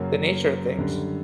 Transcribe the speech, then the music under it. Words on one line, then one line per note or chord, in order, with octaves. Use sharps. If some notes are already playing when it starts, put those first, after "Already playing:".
the nature of things.
Already playing: F#2 C#3 F#3 A#3 C#4
F#2 D3 G3